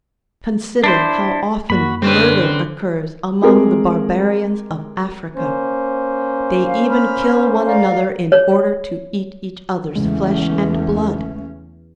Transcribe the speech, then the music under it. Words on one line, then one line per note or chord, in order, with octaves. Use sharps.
Consider how often murder occurs among the barbarians of Africa; they even kill one another in order to eat each other's flesh and blood!
D4 E4 C5
F#2 A#3 F#4 B5
D3 C4 C#4 B4
G#3 A3 C4 G4 G#4 A#4
A#3 C#4 C5
F5
B5 F6
A#4 D5 F5
C#5
E2 C#3 G#3 A3 C#4